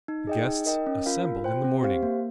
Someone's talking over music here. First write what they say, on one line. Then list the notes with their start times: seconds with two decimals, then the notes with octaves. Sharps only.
The guests assembled in the morning.
0.08 D#4
0.27 G#4 D#5 G5
0.48 D#4
0.66 A#4 D#5 G5
0.87 C#4
1.06 F4 A#4 F5
1.25 F4
1.44 C5 G5
1.64 C4
1.83 G4 C5 F5
2.03 A#3